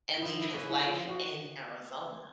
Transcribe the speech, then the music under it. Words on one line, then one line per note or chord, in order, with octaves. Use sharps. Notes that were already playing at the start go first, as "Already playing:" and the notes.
and leave his life in Arizona?
E4
F3 F4
E4
A#3 C#4 F#4 B4
E4
F3 F4
F#4